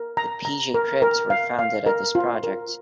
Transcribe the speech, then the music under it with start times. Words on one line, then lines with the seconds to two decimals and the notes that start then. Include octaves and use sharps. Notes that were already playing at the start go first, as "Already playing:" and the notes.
The P Jay Crips were founded at this project.
Already playing: A#4
0.17 A#5
0.45 A#5
0.74 A#4
1.02 A#4
1.30 F5
1.59 F5
1.86 A#4
2.15 F4
2.44 A#4